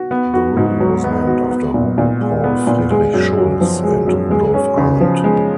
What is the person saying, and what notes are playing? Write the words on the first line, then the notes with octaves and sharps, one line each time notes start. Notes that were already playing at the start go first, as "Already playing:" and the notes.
The rule was named after Hugo Paul Friedrich Schulz and Rudolf Arndt.
Already playing: F#4
B3
F#4
G#2
F#3
B3
F#4
B3
A#2
A#2
G#3
B3
A#2
G#3
F#2
F#2
F3
G#3
F#2
G#3
C#4
C#3
F3
G#3